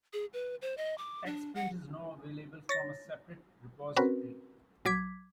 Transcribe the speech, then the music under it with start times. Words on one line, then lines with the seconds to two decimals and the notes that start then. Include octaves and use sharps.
Xprint is now available from a separate repository.
0.13 G#4
0.33 B4
0.62 C5
0.77 D#5
0.98 D6
1.26 D4
1.55 F#5
2.69 C#5 A6 A#6
3.96 C4 C#4 F#4 A#4 B4
4.85 A#1 F#3 D6 G#6 B6